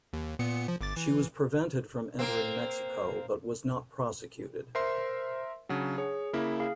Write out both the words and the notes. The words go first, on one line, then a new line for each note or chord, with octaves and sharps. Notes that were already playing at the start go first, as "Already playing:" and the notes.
She was prevented from entering Mexico, but was not prosecuted.
D#2
A#2 B3 C#7
F3
G1 D6 A6
E3
A#3 C4
A#4 C5 E5 C6 C7
C#3 F#3 D4 F#5
G#4 C#5
C#3 A#3 E4
G#4 F5